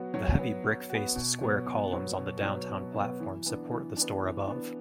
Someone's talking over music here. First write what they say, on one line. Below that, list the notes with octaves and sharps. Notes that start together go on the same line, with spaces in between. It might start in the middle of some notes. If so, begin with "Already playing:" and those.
The heavy brick-faced square columns on the downtown platform support the store above.
Already playing: F#3 B3 F#4
F#3
B3 F#4
F#3
F#4
B3
B2
F#3 B3
B2
F#3 B3
B2
F#3 B3
B2
F#3 B3
E3
B3 D4
E3
B3 D4
E3
B3 D4